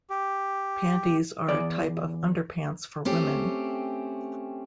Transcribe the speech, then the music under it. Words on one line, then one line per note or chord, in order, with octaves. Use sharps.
Panties are a type of underpants for women.
G4
E2 D5
A3 C4 C#4 G4